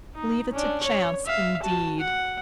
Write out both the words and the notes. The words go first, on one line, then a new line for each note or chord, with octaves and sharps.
Leave it to chance indeed!
D#4
C#4 D4
C#5
E5 F5
F#4 A5
F#5